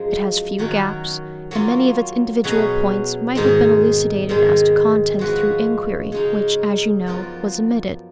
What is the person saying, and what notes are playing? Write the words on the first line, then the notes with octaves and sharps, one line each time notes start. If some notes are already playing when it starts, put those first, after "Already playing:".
It has few gaps, and many of its individual points might have been elucidated as to content through inquiry, which, as you know, was omitted.
Already playing: F#2 F3 G#3
D#3 F#3 C#4 F#4 A#4
F#3 A#3 C#4 F4
B2 F#3 C#4 G#4 B4
G#2 D#3 G#3 D#4 G#4
G#2 D#3 G#3
F3 G#3 C#4 F#4 B4
C#3 G#3 D#4
F#2 F3 B3 F4 A#4